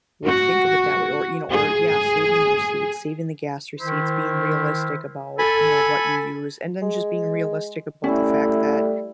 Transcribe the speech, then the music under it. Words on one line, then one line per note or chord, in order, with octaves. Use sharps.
would think of it that way, or you know, or yeah, saving the receipts, saving the gas receipts, being realistic about, you know, what you use, and then just being realistic about the fact that
F#4
G#4
D#3 E4 C5
A4 G#5 B5
G#3
G3 A3 C#4 E4